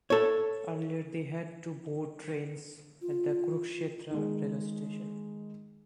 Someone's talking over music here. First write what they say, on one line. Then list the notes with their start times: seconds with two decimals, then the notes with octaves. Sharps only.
Earlier they had to board trains at the Kurukshetra railway station.
0.10 A4 C#5
3.02 F4
4.11 D#3 G#3